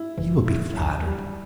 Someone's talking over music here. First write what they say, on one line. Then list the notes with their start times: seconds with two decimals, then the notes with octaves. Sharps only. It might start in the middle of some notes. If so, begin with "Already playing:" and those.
He will be flattered.
Already playing: E4
0.17 G1 F#2 C#3 E3
0.46 E4
0.73 A1 G2 F#3
1.03 G3